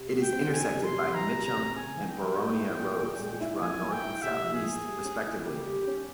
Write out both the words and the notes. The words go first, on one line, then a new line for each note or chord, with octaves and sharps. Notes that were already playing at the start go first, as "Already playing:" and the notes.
It is intersected by Mitcham and Boronia Roads, which run north and south-east respectively.
Already playing: C3
G3
G5
C4
E2 G#5
C3
C6
G3
E3 A#5
G3
A#5
C4
C#3 G#5
E3
G5
G3
G#3
E4
A#2
A#2
G#3
E4
F3 G#5
A#3
G5
E4
C3 E5
F3
G#4
A#3
G3
C#4
E4
C#3 G4
G3
C#4